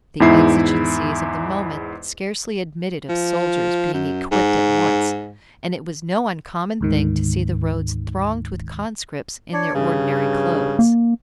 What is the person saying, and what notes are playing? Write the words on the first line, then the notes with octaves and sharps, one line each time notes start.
The exigencies of the moment scarcely admitted of soldiers being equipped at once, and it was no uncommon thing to see the roads thronged with conscripts in their ordinary clothes.
E2 G#2 E4 C7
F3
F#2
G#2
D2 G#2 D#3
D4 C#5 D5
G2 C#3
A#3